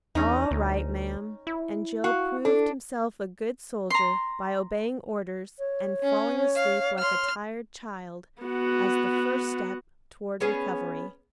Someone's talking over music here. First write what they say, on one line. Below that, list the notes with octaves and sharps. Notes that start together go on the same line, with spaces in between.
"All right, ma'am;" and Joe proved himself a good soldier by obeying orders, and falling asleep like a tired child, as the first step toward recovery.
E2 C#4 D#4
D2
E4
F#4 F5
D4 A4
A#5 C6
C#5
C#4
F5
C6 F6
B3 F#4
B3 C#4 G#4